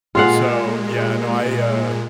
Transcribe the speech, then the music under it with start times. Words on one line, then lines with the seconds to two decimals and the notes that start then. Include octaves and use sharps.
So yeah. No, I, uh,
0.15 A#2 G#3 F4 G4 G#4 F5 F#5